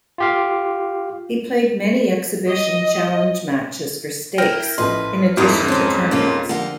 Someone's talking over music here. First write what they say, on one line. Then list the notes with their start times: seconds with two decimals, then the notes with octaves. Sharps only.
He played many exhibition challenge matches for stakes, in addition to tournaments.
0.18 F4 G4 F5
2.48 D#5
4.38 E4 A#4 G5 F6 A#6
4.78 A1 F3 B4 D#5 C6
5.37 F2 G#2 A#3 C4 E4 F4 A#4 D#6
5.68 G#3 C4 C#4 D#4 C5
6.11 C3 A#3 C#4 F4
6.49 D3 F3 A#3 F4 G4